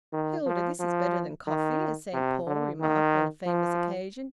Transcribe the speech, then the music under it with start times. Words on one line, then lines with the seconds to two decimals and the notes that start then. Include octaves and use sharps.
Hilda, this is better than coffee, as Saint Paul remarked on a famous occasion.
0.13 D#3
0.46 F3
0.79 F3
1.47 D#3
2.13 C3
2.46 D3
2.80 D#3
3.46 F3